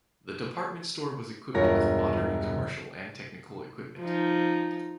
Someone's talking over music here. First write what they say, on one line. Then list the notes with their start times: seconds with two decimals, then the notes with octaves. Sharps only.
The department store was equipped with modern commercial and technical equipment.
1.54 E1 G2 F4 A#4 C#5 A#6
3.99 F3 D#4